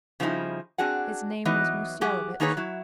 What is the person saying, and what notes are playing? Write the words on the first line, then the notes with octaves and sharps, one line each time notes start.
His name was Mussyalovitch.
C#3 F3 G3 C4 D#4 E4
C4 D4 F#4 G#4 F#5
E3 F#3 B3 D#4 D#5
F#3 G4 G#4 F#5
D#3 A#3 D#4 G#4 B4 C#5
F#3 E4